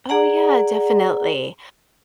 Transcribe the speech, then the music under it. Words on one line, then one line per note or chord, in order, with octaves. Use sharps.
Oh, yeah, definitely.
G#4 D5 F#5 A#5